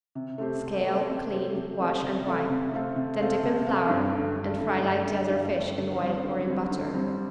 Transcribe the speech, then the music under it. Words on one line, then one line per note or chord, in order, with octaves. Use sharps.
Scale, clean, wash and wipe. Then dip in flour and fry like the other fish in oil or in butter.
C3
A3 C4 G4 C5
C3
A3 C4 G4 C5
C3
A3 C4 G4 C5
C3
A3 C4 G4 C5
C3
A3 C4 A4 F5
C3
A3 C4 A4 F5
C3
A3 C4 A4 F5
C3
A3 C4 A4 F5
G2
A3
D3
G2
D3 A3
G2
D3 A3
G2
D3 A3
D3
G3 C4
D3
G3 C4
D3
G3 C4